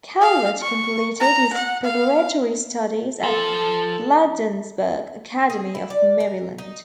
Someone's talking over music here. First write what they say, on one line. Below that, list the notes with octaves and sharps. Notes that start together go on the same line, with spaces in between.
Calvert completed his preparatory studies at Bladensburg Academy of Maryland.
F5
C#6
A#5
F#5
F5
F3 A4 C5
G#4
E4
D5
A#4
D#4